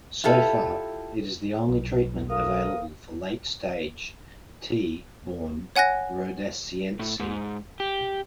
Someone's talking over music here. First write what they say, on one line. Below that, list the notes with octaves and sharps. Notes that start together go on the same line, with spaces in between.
So far, it is the only treatment available for late-stage "T. born rhodesiense".
E4 F4 G4 A4
B1
D2 A#4 F5 D#6
C#5 F#5 G#5 F#6 A#6
A2
G#2
G4